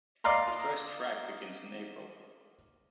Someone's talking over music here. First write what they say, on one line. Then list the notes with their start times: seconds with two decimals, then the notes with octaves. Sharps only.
The first track begins in April.
0.24 D5 D#5 F5 A#5 C6